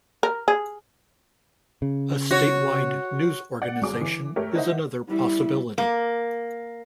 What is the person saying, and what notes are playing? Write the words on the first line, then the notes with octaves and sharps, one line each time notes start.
A state wide news organization is another possibility.
A#4
G#4
C#3
F#4 C#5
D5 F#5
G1 F#3 G#4 D6
E3
A3 G4 A#4 C#5
D#4 E4 C5 D#5 E5 F#5
G3 E4
A#3